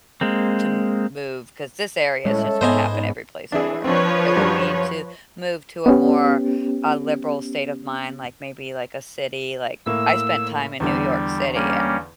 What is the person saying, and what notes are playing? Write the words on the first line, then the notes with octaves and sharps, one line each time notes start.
to move 'cause this area it's just gonna happen every place I work. It would be to move to a more, uh, liberal state of mind, like, maybe like a city, like I spent time in New York City and,
G#3 A#3 C4
A2 G#3 C#4 A4 C#5 E5
G#2 B3 C5 D#5 G#5
E3 D4 E4 G#4
F3 C4 D4 B4 C#5
F#2 G3 D4
B3 C#4 G4
A2 A#3 E6
E2 D3 G3
G3 A#3 C#4